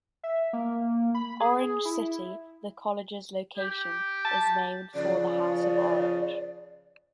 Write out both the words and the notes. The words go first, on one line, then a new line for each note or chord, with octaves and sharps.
Orange City, the college's location, is named for the House of Orange.
E5
A#3
B5
G#4
E4
G4
A5
C#3 F3 D5